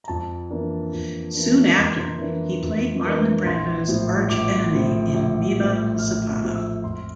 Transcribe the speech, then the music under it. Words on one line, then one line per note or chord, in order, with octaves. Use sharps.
Soon after, he played Marlon Brando's archenemy in Viva Zapata!
A#5
F2 A5
E3 A#3 D4
F2
E3 A#3 D4
F2 A#5
C6
A#5
E3 A#3 D4
F2
E3 A#3 D4
A#1 C6
A2 F3
A#1 D6
A2 F3
A#1
A2 F3
A#1 F6
F6
A2 F3
E6
F2 C6